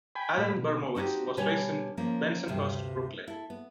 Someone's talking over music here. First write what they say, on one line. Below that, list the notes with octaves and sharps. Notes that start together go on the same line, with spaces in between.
Alan Bermowitz was raised in Bensonhurst, Brooklyn.
G5 G#5 B5
A2 B5
B2
C4 D4 D#4 F#4 G4
B2 D3 G3 B4 C#5 G#5
F3 A#3 C#4
D2 G2 C3
E4 A4
B3